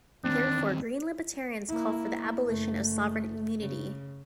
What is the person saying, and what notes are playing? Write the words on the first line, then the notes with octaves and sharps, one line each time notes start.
Therefore, green libertarians call for the abolition of sovereign immunity.
E2 D#3 C4 D4
A#3 E4
F#1 A3
C#3